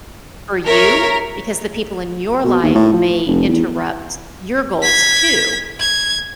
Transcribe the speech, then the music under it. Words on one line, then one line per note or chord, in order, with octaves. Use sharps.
for you because the people in your life may interrupt your goals too,
A#4 C#5 E5
B2
D#2
A2
F3
F1
E2
G#6 B6
G#6